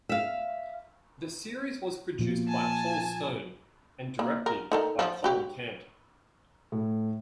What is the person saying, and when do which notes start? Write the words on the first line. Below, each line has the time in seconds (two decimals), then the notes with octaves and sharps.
The series was produced by Paul Stone and directed by Colin Cant.
0.09 E5 F5
2.19 A#2 F3 F4
2.48 G#5 A5
4.19 A#3
4.46 A#4
4.72 D#4 A4 A#4
4.99 F3
5.24 F#4 G4
6.72 A2